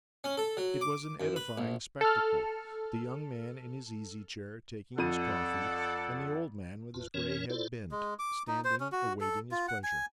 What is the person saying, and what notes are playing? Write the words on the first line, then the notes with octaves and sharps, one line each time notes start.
It was an edifying spectacle, the young man in his easy chair taking his coffee, and the old man with his grey head bent, standing awaiting his pleasure.
C#4
A4
F#3
D6
F#2
B4
A#1
A4 F6
F2 A4 D5 F#5 D#7
A1 F2 F4 B4
F2 E3 C#4 A#4 C#5
E4 F4 A4 C5 D5
G#3
D6
D#4
C5
C#4
F#4
A4
F4
F#5
G#5